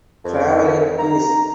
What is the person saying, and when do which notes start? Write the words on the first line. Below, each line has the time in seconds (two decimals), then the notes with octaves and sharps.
Travel in peace.
0.25 F2
0.99 A#5